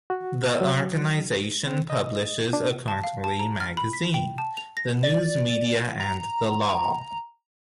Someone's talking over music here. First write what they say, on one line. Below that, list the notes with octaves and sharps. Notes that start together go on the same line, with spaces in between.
The organization publishes a quarterly magazine, "The News Media and The Law".
F#4
F#3
C4
D#5
D4
A5
F5
A5
A#5
F6
B5
B6
G5
A5
F7
A#6
D5
A#5